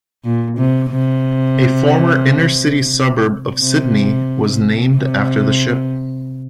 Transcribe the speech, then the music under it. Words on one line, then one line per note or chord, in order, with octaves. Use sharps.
A former inner-city suburb of Sydney was named after the ship.
A#2
C3
C3
C3
C3